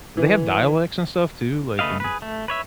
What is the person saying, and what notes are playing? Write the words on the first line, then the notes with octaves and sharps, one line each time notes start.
They have dialects and stuff too, like in
E3
C#3 A3 B4 D#5 F5
G#4 B4
A3
B4 C#5 E5